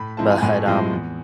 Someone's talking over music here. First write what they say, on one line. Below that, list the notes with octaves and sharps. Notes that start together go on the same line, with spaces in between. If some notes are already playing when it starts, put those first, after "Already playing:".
but, um,
Already playing: A2 B5
F3 G#3 C4 E4 A5
G#5
A2 G#5
F3 G#3 C4 E4
E2